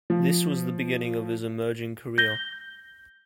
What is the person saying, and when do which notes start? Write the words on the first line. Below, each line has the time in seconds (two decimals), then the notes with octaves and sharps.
This was the beginning of his emerging career.
0.10 F3
2.18 G6 A#6 G7